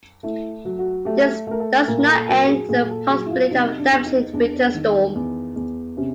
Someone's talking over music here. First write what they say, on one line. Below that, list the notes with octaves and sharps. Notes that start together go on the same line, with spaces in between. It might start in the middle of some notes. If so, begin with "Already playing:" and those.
This does not end the possibility of a damaging winter storm.
A3 E4
F#3
F#4
A3 G4
A3 A#4
A4
A#2 A#4
A#4
A4
F#3 A#4
G#4
A#2 G#4
A4
F#3 G#4
E4
F4
C3 D#4
D4
E2
D#4
E2 D4
D#3
E2
E2
C3 C#4